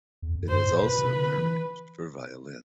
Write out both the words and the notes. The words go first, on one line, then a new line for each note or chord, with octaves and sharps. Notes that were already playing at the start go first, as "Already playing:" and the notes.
It has also been arranged for violin.
E2
F2
G2 C5
A2
B2 B4
C3
D3
E3